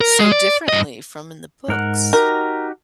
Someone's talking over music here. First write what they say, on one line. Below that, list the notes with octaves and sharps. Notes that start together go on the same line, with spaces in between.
so differently from in the books.
A#4
G#3
D5
G2 D#5
G#2 A#4 F#5
D#4 F#4 G4 A#4